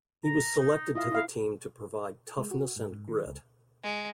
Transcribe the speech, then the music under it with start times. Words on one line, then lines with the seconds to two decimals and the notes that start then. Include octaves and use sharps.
He was selected to the team to provide toughness and grit.
0.25 A#5
0.59 D#4
0.95 E4 F4 D#5 F5
1.12 E4 F5
2.38 G#3
2.51 F#4
2.76 G#2
2.92 G#2
3.08 D#3
3.26 C#2
3.83 G#3